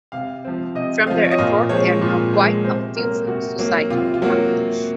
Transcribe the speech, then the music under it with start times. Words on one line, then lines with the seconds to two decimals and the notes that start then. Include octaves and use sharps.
From their effort, there are now quite a few film society in Bangladesh.
0.12 C3 F5
0.45 F3 C4
0.75 C3 D#5
1.07 F3 C4 F5
1.24 C#5
1.31 D#5
1.38 A#2 F5
1.69 F3 G#3 C4 C#5
2.01 A#2
2.33 F3 G#3 C4
2.64 C3 C5
2.96 F#3 A#3 A#4
3.27 C3 F#4
3.59 F#3 A#3
3.90 C3 F4
4.14 F4
4.22 F#3 A#3 F#4
4.54 C3